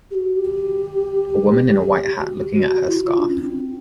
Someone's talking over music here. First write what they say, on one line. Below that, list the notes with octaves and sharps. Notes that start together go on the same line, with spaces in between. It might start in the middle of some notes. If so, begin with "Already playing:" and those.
A woman in a white hat looking at her scarf.
G4
F#4
G4
F#4
E4
F4
D4
C#4
C4